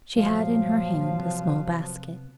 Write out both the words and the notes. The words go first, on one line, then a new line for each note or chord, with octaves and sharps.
She had in her hand a small basket.
G2 A#2 F3 F#3 F5
C3 B3